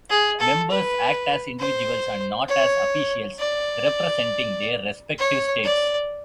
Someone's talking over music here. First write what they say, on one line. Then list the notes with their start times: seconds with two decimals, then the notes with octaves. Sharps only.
Members act as individuals and not as officials representing their respective states.
0.10 G#4
0.40 A4
0.70 B4
1.59 C5
2.49 C#5
3.39 D5
5.18 C#5
5.64 D5